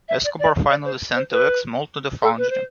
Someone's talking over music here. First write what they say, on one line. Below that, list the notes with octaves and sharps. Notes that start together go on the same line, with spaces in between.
Escobar finally sent a wax mold to the foundry.
E5
D5
D5
D5
C5
C5
B4
A4
B4
C5